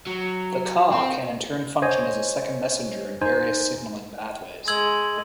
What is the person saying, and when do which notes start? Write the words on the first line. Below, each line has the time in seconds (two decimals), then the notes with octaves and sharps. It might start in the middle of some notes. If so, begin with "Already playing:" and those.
The Ca can in turn function as a second messenger in various signaling pathways.
0.07 F#3
0.92 C4
1.82 C5 C#5 D#5 G#5
3.21 D#4 C5 G#5
4.68 G#3 E6 G#6 F#7